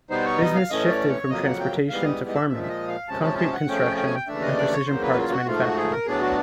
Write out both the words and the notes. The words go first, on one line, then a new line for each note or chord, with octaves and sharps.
Business shifted from transportation to farming, concrete construction and precision parts manufacturing.
B2 G3 B3 D#4 C5
C#5
D#5
F5
A2 E3 A3 C#4 D#5
D5
C#5
F2 C#3 F#3 A#3 D#5
F#5
G5
G#2 E3 G3 B3 F5
D#5
D#5
E5
A#2 F3 G#3 E5
E5
D#5
F5
C3 F3 G#3 C#4 A5
A5
A5
F#5
F2 C#3 F3 A3 C#4 G5
G5
G#5
G5
D#2 C#3 E3 A3 D4 E5
D#5
D5
C#5
E2 C#3 F#3 A#3 C5
B4
F4
F#4
G#2 F3 A3 F4
F#4
G#4
A#4
A2 F#3 B3 D4 G#4
F#4